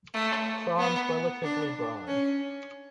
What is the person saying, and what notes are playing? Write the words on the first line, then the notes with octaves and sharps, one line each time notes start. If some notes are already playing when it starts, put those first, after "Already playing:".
Frons relatively broad.
A3
B3
D4
C#4